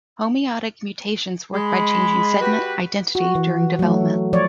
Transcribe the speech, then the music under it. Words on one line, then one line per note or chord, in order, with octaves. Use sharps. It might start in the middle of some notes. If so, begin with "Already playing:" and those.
Homeotic mutations work by changing segment identity during development.
G#3 B5
F#4 G4 B4
F#4
E3
F#3 A3
F3 C#5 D5